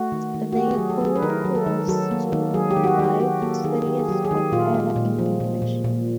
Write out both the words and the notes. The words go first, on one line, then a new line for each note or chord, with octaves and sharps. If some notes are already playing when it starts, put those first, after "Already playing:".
Their goal was to revive serious opera in English.
Already playing: A3 F#4
D#3
D#3
F#4
A3 G4
F#3 G#4
A4
F#3
G#4
B4
D#3 A#4
F#3
A4
D#3
F#3 A4
A#3
D#3
F#3 G#4
G4
D#3
F#4
G4
D#3 F#4
G4
F#3 F#4
A#3 A4
D#3 G#4
D#3 G4
G#4
F#3 G4
G#4
D#3
G4
A#2 F4
G#3
A#2
F3
A#2
A#2
A#2